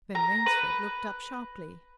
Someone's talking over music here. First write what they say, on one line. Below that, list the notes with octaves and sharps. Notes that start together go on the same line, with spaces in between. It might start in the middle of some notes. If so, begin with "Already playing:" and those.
Ben Rainsford looked up sharply.
A#5
B4